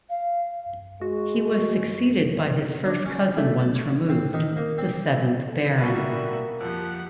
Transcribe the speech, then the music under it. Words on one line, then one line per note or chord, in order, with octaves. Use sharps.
He was succeeded by his first cousin once removed, the seventh Baron.
F5
G#3 F#4
D4
C#4
A3
A5
C#5
C4
D#3
A#3
C4
A4
B2 G3 A#3 F#4 B4 E5
F2 F3 G4 F#5